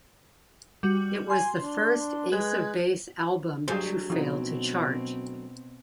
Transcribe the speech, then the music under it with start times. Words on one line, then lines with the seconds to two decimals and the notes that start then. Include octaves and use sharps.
It was the first Ace of Base album to fail to chart.
0.83 G3 F#4
1.30 G#5 C6
1.63 D4
2.32 G#3 B4 F#6 G#6
3.68 D2 F#3 G3 G#4 C5
4.10 B2 F3 C4 D#4